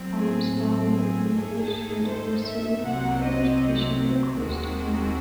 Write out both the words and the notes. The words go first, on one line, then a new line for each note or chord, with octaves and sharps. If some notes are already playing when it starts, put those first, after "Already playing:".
Addams's father encouraged her to pursue higher education but close to home.
Already playing: A2 F#3 C4
G#4
A4
G#4
G#2 D#3 A3 D#4 G#4 A4
C5
E5
C2 C3 F#3 C4 F#5
D#5
D#2 D#3 G#3 C4 F#4